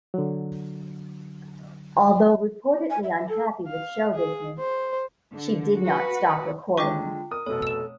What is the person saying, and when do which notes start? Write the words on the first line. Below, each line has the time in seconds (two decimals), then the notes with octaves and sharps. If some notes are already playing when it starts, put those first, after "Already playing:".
Although reportedly unhappy with show business, she did not stop recording.
0.14 D3 F#3
2.90 G#5
3.04 E5
3.17 E5
3.29 A4
3.68 F5
4.15 G#4
4.59 C5
5.32 D3
5.81 F#4 B4
6.77 D3 G#3 F4 G5 C#6 D6
7.31 A#4 D#6
7.46 F1 B2 A4 C#5
7.62 E6 E7